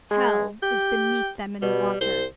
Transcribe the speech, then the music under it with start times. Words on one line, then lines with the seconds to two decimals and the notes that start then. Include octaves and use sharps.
Hell is beneath them in the water!
0.11 G#3
0.63 G4 G5
1.62 B2 G3
2.01 C2 C5